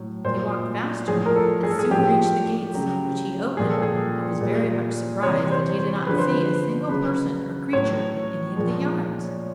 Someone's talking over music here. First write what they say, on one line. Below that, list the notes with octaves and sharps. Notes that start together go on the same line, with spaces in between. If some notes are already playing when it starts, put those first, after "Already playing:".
He walked faster, and soon reached the gates, which he opened, and was very much surprised that he did not see a single person or creature in any of the yards.
Already playing: A2 F#3
A#2 F#3 C5
A2 F3 G#3 G#4
A#4
A4
G#4
A4
G#4
A2 F3 G#3 G4
C#3 F#3
A#2 F3 G#3 G#4
A4
G#4
A#2 G3
C3 E3 G3 C#5
C5
C5
D3 F3 G#3 B4
C5
B4
C#3 F#3 B4
A2 F#3 C#5
A#2 F3 G#3